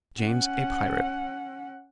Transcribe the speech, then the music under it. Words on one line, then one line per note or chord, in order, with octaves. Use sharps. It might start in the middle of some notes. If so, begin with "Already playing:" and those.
James, a pirate.
C#4 F#5